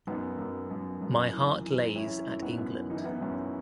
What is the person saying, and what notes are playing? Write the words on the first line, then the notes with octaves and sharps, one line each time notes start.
My heart lays at England.
F#2 B3 D#4
F#2
F#2
F#2
E3
E3
E3 C#4 E4
F#2
B3 D#4
F#2
E3 D#4
E4
B3 D#4
F#2 C#4